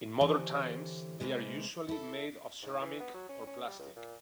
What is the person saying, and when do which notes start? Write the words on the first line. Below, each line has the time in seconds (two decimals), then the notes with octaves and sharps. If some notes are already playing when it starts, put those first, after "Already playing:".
In modern times, they are usually made of ceramic or plastic.
0.21 D3 E3 G4 C5 C#5
1.20 C3 G#3 A#3 B4 C5
1.89 E4 A4
2.62 G#2
2.81 E3
3.00 B3
3.14 F#3
3.29 C#4
3.47 C#4
3.67 G3
3.79 C#2
3.96 A#2